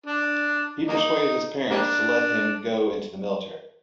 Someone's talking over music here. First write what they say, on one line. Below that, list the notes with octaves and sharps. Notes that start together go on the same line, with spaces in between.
He persuaded his parents to let him go into the military.
D4
A#3 D#4
G3 A#3 D4